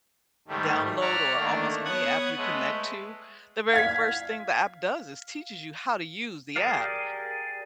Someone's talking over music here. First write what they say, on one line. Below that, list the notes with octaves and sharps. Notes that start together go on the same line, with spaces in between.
download, or almost any app you connect to the very first thing the app does is teaches you how to use the app.
G#2 D#3 G3 A3
C#5 D5 E5 F#5 A#5 F6
D#3 A3 A#3 D4
B3 C#5 F#5 D#6 F#6 G#6
G#3 A3 B4
F5 G#6 B6
G4 G#4 A#4 D5 F5